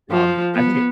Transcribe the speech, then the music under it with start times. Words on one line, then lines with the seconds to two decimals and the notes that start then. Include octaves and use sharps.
Um, I think it
0.11 F3
0.55 B3